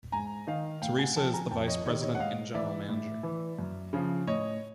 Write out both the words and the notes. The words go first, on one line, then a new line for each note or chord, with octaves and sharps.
Theresa is the vice president and general manager.
G#2 G#5 A#5
D#3 D#5 F5
A2 F5 G5
F#5 G#5
F3 G5 A5
G#5 A#5
F2 G5 A5
C#5 D#5
C3 D#3 C#5 D#5
C#5 D#5
F#5
G#2 D#5 F5
E3 D5 E5
A2
E3
F#2
C#3 F3
A2 C#5 D#5